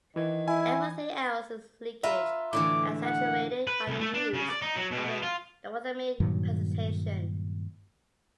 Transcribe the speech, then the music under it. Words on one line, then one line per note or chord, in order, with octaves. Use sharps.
Everything else is leakage, exaggerated by the use of a logarithmic presentation.
D#3 E3 G#6
E4 G#5
F4 B4 E5 A#5
A2 D3 E3 D6
F#5
B4
C2
A3
D4
C#3
D5
D#4
F#3
B2
B2
F4
G2 A#2 D#3 F#3